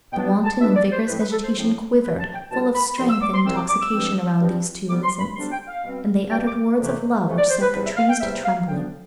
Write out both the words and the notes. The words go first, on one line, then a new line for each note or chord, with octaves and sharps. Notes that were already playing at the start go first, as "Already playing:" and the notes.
The wanton and vigorous vegetation quivered, full of strength and intoxication, around these two innocents, and they uttered words of love which set the trees to trembling.
B2 B3 D4 G5
A5
B2 B3 D4 E5
D5
C5
A2 F3 C4 B4
B4
A4
C5
A2 F3 C4
C2 B2 G3 B4
A5
G5
C2 B2 G3 A5
B5
C2 C3 F3 C4 C6
E6
D6
C6
C2 C3 F3 C4 E6
D6
D6
E6
G2 F3 C4
G2 F3 C4
D2 C3 G3 B3 D4 D6
C6
B5
D2 C3 G3 B3 D4 C6
G5
F5
B2 G3 C4
B2 G3 C4 G5
D6
F2 C3 E3 A3
F2 C3 E3 A3
D5
C5
B4
E2 C3 G3 B4
E5
F5
G5
E2 C3 G3 E5
F5
D2 D3 F3 B3 D4 G5